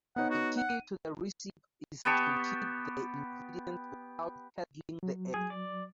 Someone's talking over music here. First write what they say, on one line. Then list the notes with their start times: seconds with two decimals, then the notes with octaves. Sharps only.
The key to the recipe is to heat the ingredients without curdling the egg.
0.16 B3 D#4 C#5 F#5
0.30 F#4
0.57 F#5
0.69 D#7
2.05 B3 G4 A5 C#6
5.03 F#3
5.34 G#4
5.50 D5